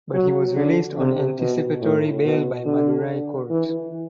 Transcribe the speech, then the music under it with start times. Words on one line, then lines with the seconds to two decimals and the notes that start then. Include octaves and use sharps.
But he was released on anticipatory bail by Madurai Court.
0.14 F#3
0.56 D3
0.98 C3
1.40 B2
1.82 A2
2.24 B2
2.65 D3
3.50 E3